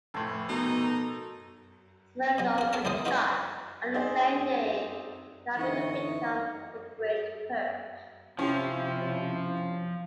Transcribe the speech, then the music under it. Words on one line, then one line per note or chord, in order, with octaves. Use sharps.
Smirnov was shot on the same day, becoming a victim of the Great Purge.
F1 A2 A4 C5 C#5
B2 D#4 A4 A#4
B2 F#3
F#4 A#4
A4 A#4 C#5 G5 A5 A#5
C#2 F#2 E3 C5 D#6
D#4 F4 F#4 B4 D5
C4 D#4 G#4 C5 D5
D3 E3 D#4 D#5 E5 C#6
C3 F3 C#4 E4 G4 C6